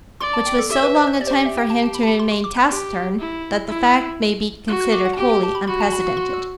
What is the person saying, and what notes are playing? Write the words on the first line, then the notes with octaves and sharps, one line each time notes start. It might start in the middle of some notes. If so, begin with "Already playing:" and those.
Which was so long a time for him to remain taciturn, that the fact may be considered wholly unprecedented.
D5 C6
A5
G5
A4
G4 E5
B4
C5
C5
G4 D5
C5
D5
E5
G5
A5
A5
B5
A5
B5
C6
C6
D6
F#6
G4
E4
E4 E6
F#4 F#6
F#6
D6
F#5
A5
G4 G5
G5
A5
B5
F#4 B5
A5
B5
C6
E6